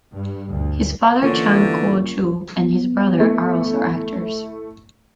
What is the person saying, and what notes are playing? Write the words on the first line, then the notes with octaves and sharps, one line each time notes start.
His father Chang Kuo-chu and his brother are also actors.
G2
D2
D3 E3 A#3 C#4 F4
B3
A3 E4